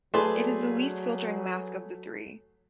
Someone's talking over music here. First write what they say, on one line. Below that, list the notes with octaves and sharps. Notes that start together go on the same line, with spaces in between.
It is the least filtering mask of the three.
F#3 A3 G#4 B4 C5 D5 A5